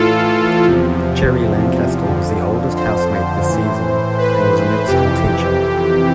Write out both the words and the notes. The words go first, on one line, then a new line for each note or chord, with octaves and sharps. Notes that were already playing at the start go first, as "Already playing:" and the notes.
Gerry Lancaster was the oldest housemate this season, and was a middle school teacher.
Already playing: A2 E3 F4 A4
E2 C3 F3
F2 D3 F3
C5
A2 E3
B4
F2 C3 E3 G4